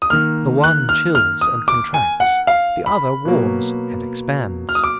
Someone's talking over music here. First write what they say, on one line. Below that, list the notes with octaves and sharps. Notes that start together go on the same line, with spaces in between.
The one chills and contracts, the other warms and expands.
D#6
D#3 A#3 F6
F#6
F6
F6
D#6
D6
G#5
F#5
F5
B5
B2 F#3 A#3
F6
D#6
D6